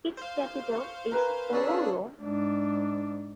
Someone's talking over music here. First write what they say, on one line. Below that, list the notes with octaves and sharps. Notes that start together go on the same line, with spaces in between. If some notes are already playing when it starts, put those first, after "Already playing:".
Its capital is Oruro.
C5 F5
C#6
A#4 B4 G#5
C#4 D4 G#4 A4
E5 F5 A5
G#2 D4